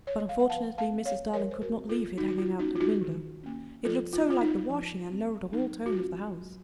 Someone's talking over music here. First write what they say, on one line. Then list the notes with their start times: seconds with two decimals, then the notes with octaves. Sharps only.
But unfortunately Mrs. Darling could not leave it hanging out at the window, it looked so like the washing and lowered the whole tone of the house.
0.07 C#5
0.19 D#5
0.29 F5
0.39 F#5
0.50 F3 F5 A5
0.78 F5 A5
0.92 C4
1.05 C#5 F5
1.33 F3 A#4 C#5
1.51 C5
1.61 F#4 A#4
1.76 C4
1.89 F4 A4
2.17 D#3 D#4 F#4
2.28 F#4
2.38 F4
2.59 A#3 C#4 D#4 F#4
2.75 F4
2.80 D#4 F#4
3.01 D#3
3.43 A#3 C#4
3.85 F3 F4 A4
4.13 F4
4.27 C4 F4
4.41 D#4
4.69 F3
5.11 C4
5.53 F#3 D#4
5.86 F#4
5.95 A3 C#4 F4
6.37 F#3